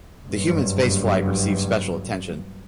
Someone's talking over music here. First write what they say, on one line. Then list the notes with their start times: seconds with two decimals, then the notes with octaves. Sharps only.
The human spaceflight received special attention.
0.24 F#1 G2